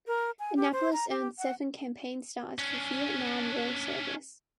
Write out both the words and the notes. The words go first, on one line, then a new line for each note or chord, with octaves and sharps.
"Annapolis" earned seven campaign stars for Vietnam War service.
A#4
G#5
G4
C5
A#5
G4
F#5
C#4 D4